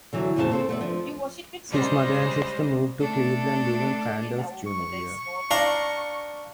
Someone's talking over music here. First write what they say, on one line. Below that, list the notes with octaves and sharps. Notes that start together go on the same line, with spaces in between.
His mother and sister moved to Cleveland during Crandall's junior year.
D3 E3 F#3
F2 A#2 C#3 G#4 C5 A5
C4 A4 C5
A3 B3 D5
F3 D4
C#3 G3 G#3 C5
A3 D4 A4
C#6
D4 F5 A#5